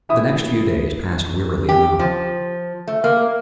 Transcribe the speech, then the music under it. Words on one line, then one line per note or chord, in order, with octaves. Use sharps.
The next few days passed wearily enough.
E3 E4 E5 D#6
G4
F3
A3
A#3